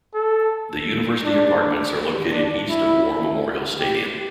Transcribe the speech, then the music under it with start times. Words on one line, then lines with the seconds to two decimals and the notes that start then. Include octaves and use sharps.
The University Apartments are located east of War Memorial Stadium.
0.14 A4
1.24 D4
2.32 D4
2.69 E4
3.79 G4